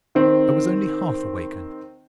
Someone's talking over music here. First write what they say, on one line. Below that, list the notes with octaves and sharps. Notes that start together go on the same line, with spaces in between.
I was only half-awakened.
D#3 C4